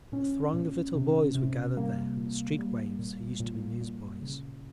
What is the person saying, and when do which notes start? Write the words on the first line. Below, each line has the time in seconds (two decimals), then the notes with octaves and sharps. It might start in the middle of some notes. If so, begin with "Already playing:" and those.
A throng of little boys were gathered there--street waifs who used to be newsboys.
0.12 A#2 C#4
0.54 A#2
0.95 C3
1.35 C3
1.77 G3 A#3
2.17 A#2
2.58 G3
2.99 A#2
3.40 A#2
3.81 A#2
4.22 C#3